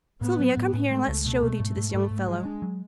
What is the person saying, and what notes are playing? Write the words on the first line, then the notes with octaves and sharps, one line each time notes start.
Sylvia, come here, an let's show thee to this young fellow!'
A2 B3
F#3
A2
A2
G#3 A3
C#2
B2 A3
B2
G#2
G#2
G#2 A3
G#2
F#3 G#3
D4
F#3